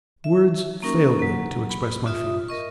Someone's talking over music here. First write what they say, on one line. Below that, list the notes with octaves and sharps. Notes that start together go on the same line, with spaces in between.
Words failed me to express my feelings.
E5
A#3 C#4 D#4 A#4 C#6
F#3 A#3
B5
F4 E5 D#6
A#4 D#5 C#6